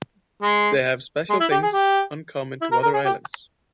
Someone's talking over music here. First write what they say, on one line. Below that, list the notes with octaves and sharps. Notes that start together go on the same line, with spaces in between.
They have special things uncommon to other islands.
G#3
G#3
E4
G4
G#4
G4
E4
A#4
A#4
G#4
G4